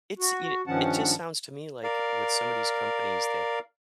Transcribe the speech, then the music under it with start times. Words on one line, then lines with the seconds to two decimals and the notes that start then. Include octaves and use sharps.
It's you kn it just sounds to me like with some of these companies that, uh,
0.19 F#4
0.67 G2 D#3 F3 C#4 F#5 A5
1.84 A#4 D5 F5